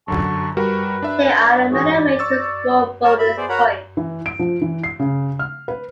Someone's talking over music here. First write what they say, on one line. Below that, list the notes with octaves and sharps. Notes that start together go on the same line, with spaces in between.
There are many ways to score bonus points.
F#2 D3 F#3 A5 C#6
G3 F#4 A#4 B4
D4 E5
G#2 E3 F#4 G#4 C#5
D5
C#6 E6 A6
A#4 C#5 A5
E5 B5
B3 G#4 C5 D5
F#4 A#4 C#5 F#5 A#5 B5
E3
D7
F3
E3
C7
C#3
F6
B4